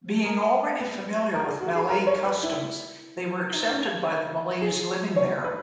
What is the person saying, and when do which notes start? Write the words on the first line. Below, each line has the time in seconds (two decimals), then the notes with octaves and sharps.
Being already familiar with Malay customs, they were accepted by the Malays living there.
0.24 A#4
0.79 B4
1.34 A#4
1.47 G#4
1.61 F#4
1.75 G#4
1.89 A#4
2.07 C#5
2.26 B4
2.43 E4
3.53 D#4
3.71 C#4
4.62 G#4
5.16 C#5
5.44 B4